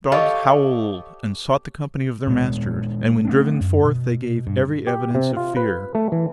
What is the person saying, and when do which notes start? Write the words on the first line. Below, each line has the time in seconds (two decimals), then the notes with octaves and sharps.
Dogs howled and sought the company of their masters, and when driven forth they gave every evidence of fear.
0.12 G4 A4 C#5 D#5 F5
2.27 A#2 G#3 B3
3.25 A3 C4 D4
3.61 F#2
3.85 B2
4.47 G2
4.87 G4
5.15 C3
5.37 F4
5.57 B4
5.95 A3
6.12 E3